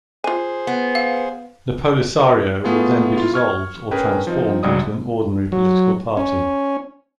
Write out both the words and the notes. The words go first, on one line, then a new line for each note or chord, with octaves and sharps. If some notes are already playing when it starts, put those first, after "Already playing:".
The Polisario will then be dissolved or transformed into an ordinary political party.
F4 G#4 C5 G#5
B3
F5
A3 B3 F4 G#4
E4 F4 F5
C#6 F6 G#6
C#4 G#4 A#4 B4 G5
F3 C4 D#4
C#2 F#3 G3 D5 D#6
F#3
C#4